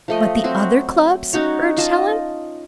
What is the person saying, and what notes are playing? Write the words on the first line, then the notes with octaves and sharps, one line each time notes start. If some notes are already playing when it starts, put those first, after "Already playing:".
"But the other clubs?" urged Helen.
F3 A3 D#5
F#3 C4 F#4
C#4 D#4 F#4 C#5
F4 D#5 A5